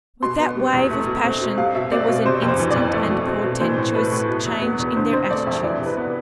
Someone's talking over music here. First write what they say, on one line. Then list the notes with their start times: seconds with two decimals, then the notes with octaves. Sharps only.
With that wave of passion there was an instant and portentous change in their attitudes.
0.22 B2 C6
0.40 B3
0.57 G3
0.73 E2
0.91 A3
1.07 B2
1.24 C4
1.41 B2
1.58 G3 F5
1.75 B2 E5
1.91 C4 D5
2.08 B2
2.25 C3 C5
2.42 F2
2.48 C5
2.59 E3
2.70 D5
2.76 F2
2.92 A3
3.10 B2
3.27 C4
3.43 B2
3.60 E3 C5
3.77 A2
3.94 A3 B4
4.12 A2
4.28 B2
4.46 E2
4.62 B3
4.79 E2
4.96 D3 C5
5.13 C4 C5
5.29 A3 D5
5.46 F2 E5
5.63 E3 D5
5.81 C3
5.86 B4
5.97 B3